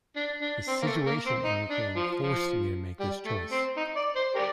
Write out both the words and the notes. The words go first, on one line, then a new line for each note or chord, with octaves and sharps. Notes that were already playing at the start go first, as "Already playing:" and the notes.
The situation in Ukraine forced me to make this choice.
D4
D4
C4
A#3
A3
A#3
C4
D#4
D4
F3
F3
G3
A3
C4
D#4
D5
C5
G4 A#4 D5